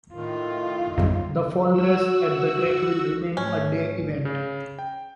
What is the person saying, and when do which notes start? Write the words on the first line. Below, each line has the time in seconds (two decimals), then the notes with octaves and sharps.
The fall race at the track will remain a day event.
0.14 A2 D#3 F4
1.71 F#4 E6
3.37 G#2 A3 C#4
4.25 C#3
4.79 G5